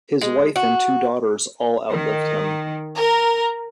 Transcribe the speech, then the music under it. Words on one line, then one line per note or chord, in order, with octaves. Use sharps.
His wife and two daughters all outlived him.
G#3
F#4
D#3
A#4